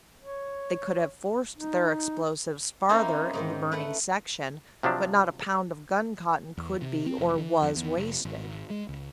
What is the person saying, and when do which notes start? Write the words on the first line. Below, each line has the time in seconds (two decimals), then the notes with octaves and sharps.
They could have forced their explosives farther in the burning section, but not a pound of guncotton could be or was wasted.
0.20 C#5
1.58 D#4
2.89 A#3 C4 C#4 D#4 E4 C5
3.33 G#2 D#3
3.72 A3 B4 F#5
4.83 C3 F3 F#3 D4
6.57 E2
6.82 C3
7.06 C4
7.18 F1
7.38 E3
7.62 F2
7.76 E2
7.97 F1
8.25 G#1
8.70 G#3
8.89 C#2